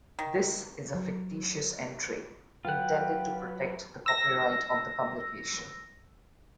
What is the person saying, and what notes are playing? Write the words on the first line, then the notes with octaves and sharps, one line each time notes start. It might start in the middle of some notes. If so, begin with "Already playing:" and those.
This is a fictitious entry, intended to protect the copyright of the publication.
D#3
F#3
F#3 F4 B4 F#5 G5
E6 A#6